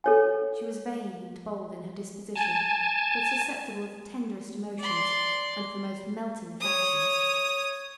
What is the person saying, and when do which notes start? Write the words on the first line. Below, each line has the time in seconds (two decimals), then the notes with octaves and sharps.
She was vain and bold in her disposition, but susceptible of the tenderest emotions, and of the most melting affections.
0.04 A4 C#5 G#5
2.36 G#5 A5
4.79 D5 C6
6.61 C#5 D#6